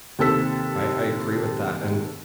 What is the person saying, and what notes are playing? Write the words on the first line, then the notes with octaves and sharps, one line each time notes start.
I I agree with that, and
D#2 C3 A4 E6 B6